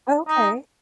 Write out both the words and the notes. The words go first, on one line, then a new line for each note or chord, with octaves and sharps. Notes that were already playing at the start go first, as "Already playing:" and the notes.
Oh, okay
D#4